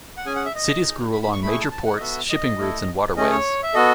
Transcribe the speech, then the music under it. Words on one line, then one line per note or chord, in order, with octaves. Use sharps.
Cities grew along major ports, shipping routes, and waterways.
F#5
C#4 G#4 G#5
F#5
E5
D#5
D#4 G#4
B5
B5
C#6
A3 E4 G#4 B5
C#6
A5
A5
F#5
D#5
B3 F#4 A4 E5
D#5
A3 E4 A4
A3 C#4 G#4 D#5
C#5
E5
B3 F#4 A4 D#5